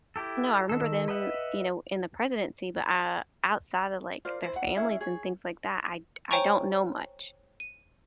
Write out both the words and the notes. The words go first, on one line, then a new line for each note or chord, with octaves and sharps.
know, I remember them, you know, in the presidency, but, uh, outside of, like, their families and things like that, I d I don't know much.
E4 G4 A4
D#3 A4
B4 D#5 E5 F#5
F4 A#4 C5 D5
E4 C5
F#5
C#4 E4 G#4
G#4 C#5
C5 C#5 G5 G#5 A#5 C#6
D#7